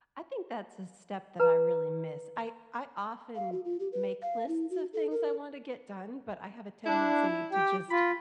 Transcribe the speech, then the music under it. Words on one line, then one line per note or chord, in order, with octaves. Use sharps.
I think that's a step that I really miss. I I often make lists of things I want to get done, but I have a tendency to just
B4 A#5
F5
F#4
F4
G4
B4
F5
E4
F#4
A4
A#4
D4 E4
G4 G5
F4 B5